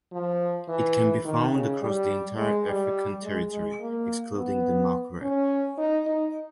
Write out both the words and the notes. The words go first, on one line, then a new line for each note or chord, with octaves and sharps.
It can be found across the entire African territory, excluding the Maghreb.
F3
E3
D#3
C#3
G3
G#3
G3
G#3
G#3
A#3
B3
C#4
D#4
D#4